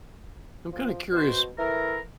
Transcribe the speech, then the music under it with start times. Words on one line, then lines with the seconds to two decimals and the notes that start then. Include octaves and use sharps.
I'm kinda curious.
0.73 F3
1.12 B2 F#4 B4 C5
1.58 E3 E4 A4 A#4